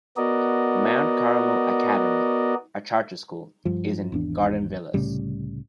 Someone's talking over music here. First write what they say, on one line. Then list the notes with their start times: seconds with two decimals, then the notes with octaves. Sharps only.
Mount Carmel Academy, a charter school, is in Garden Villas.
0.17 B3 F#4 A#4 D5 D#5
3.65 G2 F3
4.12 G#1 E2 D4
4.94 C2 A2 C#3 G3